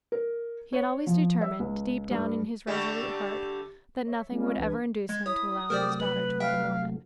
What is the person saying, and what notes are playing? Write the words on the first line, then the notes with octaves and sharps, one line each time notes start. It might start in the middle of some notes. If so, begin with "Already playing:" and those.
He had always determined, deep down in his resolute heart, that nothing would ever induce him to allow his daughter to wed a Mormon.
A#4
C#5
F3
E5
C#2
G2
D3 G3 A3
C#5 E5
G3 G#3 C4 C#4 F4
C2 E3 D4 B4 G#6
G#3 G#6
E4 C#5 B5 D#6
C3 F#3 A3 G4 A#4 C5 D5
B4 F#7
E5 F5 G5